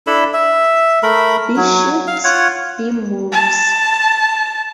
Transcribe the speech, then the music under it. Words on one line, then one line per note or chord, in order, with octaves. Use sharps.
B shoots, B moves.
D4 E4 A4 B5
E5
A3 A#4 B5
F#3
F5
F4 C#5 F#5
A5